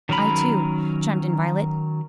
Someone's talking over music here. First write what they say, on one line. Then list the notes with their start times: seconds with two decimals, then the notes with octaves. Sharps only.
"I too," chimed in Violet.
0.09 D#3 F#3 C#4 A#4 B5